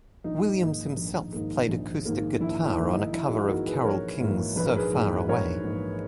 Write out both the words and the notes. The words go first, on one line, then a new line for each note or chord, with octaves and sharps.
Williams himself played acoustic guitar on a cover of Carole King's "So Far Away".
A#1 D#4
G#2 D#3 A#3
A#1
G#2 D#3 A#3
A#1
G#2 D#3 A#3
A#1 E4
E4
G#2 D#3 A#3
D#4
A#1 E4
G#4
D#4 F#4
G#2 E3 A#3 F#4 A#4
G#4 B4
A#1 A#4 C#5
G#2 E3 A#3
A#1 B4
A#4
G#4 B4
G#2 E3 A#3
A#1 A#4 C#5
G#2 E3 A#3